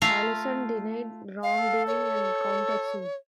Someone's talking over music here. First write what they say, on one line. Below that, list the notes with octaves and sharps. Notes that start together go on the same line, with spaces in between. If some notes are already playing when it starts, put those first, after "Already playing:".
Allyson denied wrongdoing and countersued.
A3 F4 F5 A#5
F5
A4
C#5